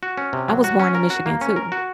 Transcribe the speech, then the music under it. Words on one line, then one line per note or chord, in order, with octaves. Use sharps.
I was born in Michigan too.
F#4
C#4
C3
F#3
F#4
C#4
A#4
F#4
A#3
C#4
A#4
F#4